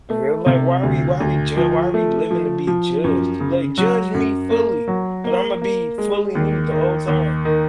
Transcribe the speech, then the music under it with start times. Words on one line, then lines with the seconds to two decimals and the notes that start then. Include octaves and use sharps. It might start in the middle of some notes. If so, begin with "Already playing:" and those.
And they're like, "Why are we why are we ju why are we living to be judged?" Like, judge me fully, but I'm gonna be fully me the whole time.
0.10 A3
0.46 C3
0.83 D2
1.20 D2
1.57 F3
1.94 A3
2.31 F3
2.67 F3
3.04 F#2
3.40 C#3
3.78 F#3
4.14 F#2
4.50 A#3
4.88 F#3
5.24 A#3
5.61 A#3
5.98 G#3
6.35 D#2
6.71 D#3
7.08 D#2
7.45 D#3